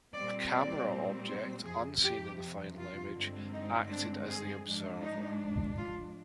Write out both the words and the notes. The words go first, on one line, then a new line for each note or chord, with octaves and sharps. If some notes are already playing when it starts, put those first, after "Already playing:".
A "camera object" unseen in the final image acted as the observer.
A#2 G3 C4 D5
D5
C5
F2 C3 F3 G#4
G4
F4
G2 D3 G#3 C4
D#4
D4
G#4
G#2 F3 G#3 D4
D#4
F4